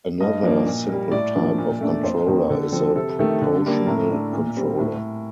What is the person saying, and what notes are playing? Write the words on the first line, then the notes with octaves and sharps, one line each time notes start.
Another simple type of controller is a proportional controller.
G2 D#5
F3 A#3 D4
A#2
G3 A#3
A2 D5
F3 A#3 D4
A#2
A3 D4
F2 C5
D#3 A#3 A#4
D3 A4
F3 C4 A4
C3 A4
D#3 A3
D3
G3 A#3 D4
A2 A#4
A3 D4
A#2
G3 C4
A2